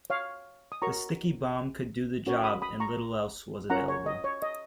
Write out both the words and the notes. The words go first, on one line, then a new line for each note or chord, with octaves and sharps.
The sticky bomb could do the job and little else was available.
C#5 F5
D#6
F#4 A#4 C#5 A#5 C#6
C#4 F#4 A#4 C#5
B5 D#6
B5 D#6
A#5 C#6
C#4 F4 A#4 C#5 F#5 A#5
C#5
D#5
C#5
D#5